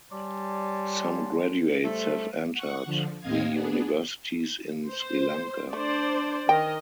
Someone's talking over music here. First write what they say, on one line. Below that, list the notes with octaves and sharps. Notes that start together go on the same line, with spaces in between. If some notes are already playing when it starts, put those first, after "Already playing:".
Some graduates have entered the Universities in Sri Lanka.
G3 C#5 D5 G#5 A5 C6
G3 A3 A4 C5
F#5 C#6
D3 F3
D#2 A2 C4 D#5 F5 G#6
B3 D4 G#4
C5
A3 D4 C5 D5
D#3 A#4 D#5 G5